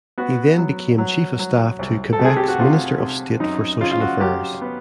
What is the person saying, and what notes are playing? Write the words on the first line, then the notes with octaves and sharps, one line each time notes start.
He then became chief of staff to Quebec's Minister of State for Social Affairs.
B3 F#4
F#3
F#3
F#3
C2
A4
C3
G#4
G4
F#4
C3 F4
C3
F#2 D#4
C#3 F4
F4
F#4
F#3 G4
B3